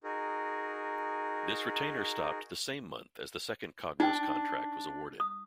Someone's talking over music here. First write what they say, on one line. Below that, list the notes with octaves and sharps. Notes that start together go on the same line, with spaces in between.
This retainer stopped the same month as the second Cognos contract was awarded.
D#4 F#4 G#4 A#4
D4 D#4 G5
D#6